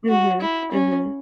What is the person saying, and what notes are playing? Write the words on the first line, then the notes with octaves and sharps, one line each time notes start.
Mhm, mhm.
F#4
E4
C#4